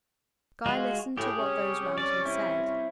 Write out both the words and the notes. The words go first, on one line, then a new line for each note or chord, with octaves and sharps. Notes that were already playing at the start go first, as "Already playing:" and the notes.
Guy listened to what those round him said.
G#3 F4 F#4
A2 G4 G#4
C3 G3 C#4
D5
C4 E4